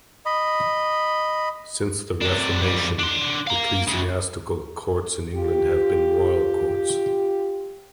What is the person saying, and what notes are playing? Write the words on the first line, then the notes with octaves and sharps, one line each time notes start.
Since the Reformation, ecclesiastical courts in England have been royal courts.
D#5 B5
C3 D4
F2 G3
D4 C6
F5 A#5
F#2 C#3
F4 G4